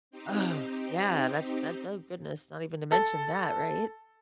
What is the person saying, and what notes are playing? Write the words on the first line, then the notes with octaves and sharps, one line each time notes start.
Ugh, yeah. That's that oh, goodness. Not even to mention that, right?
C4 D#4 G4
A4